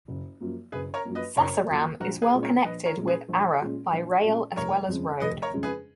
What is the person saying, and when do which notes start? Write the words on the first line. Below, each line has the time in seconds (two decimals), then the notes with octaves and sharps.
Sasaram is well connected with Ara by rail as well as road.
0.08 F#1
0.41 F#2 F3 A#3
0.72 F#1 G#4 B4
0.94 A#4 C#5
1.05 F#2 F3 A#3
1.15 B4 D#5
1.36 F#1 A#4 C#5
1.69 F#2 F3 A#3
2.00 A#1 F#4 A#4
2.22 G#4 B4
2.33 A#2 G#3 C#4
2.43 A#4 C#5
2.64 A#1 B4 D#5
2.86 A#4 C#5
2.97 A#2 G#3 C#4
3.07 G#4 B4
3.28 A#1
3.61 A#2 G#3 C#4
3.93 A#1
4.24 A#2 G#3 C#4
4.56 F1 A#4 C#5
4.88 F2 C#3 G#3 C#4
5.20 F1 B4 D#5
5.42 A#4 C#5
5.53 F2 C#3 G#3 C#4
5.63 G#4 B4